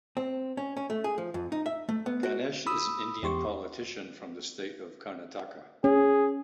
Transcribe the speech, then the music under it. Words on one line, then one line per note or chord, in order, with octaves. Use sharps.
Ganesh is an Indian politician from the state of Karnataka.
C4
C#4
C#4
A3
G#4
F3
F2
D#4
E5
A3
B3
F#4
B5 D#6 E6
E2 G4 C6 C#6
C#4 G#4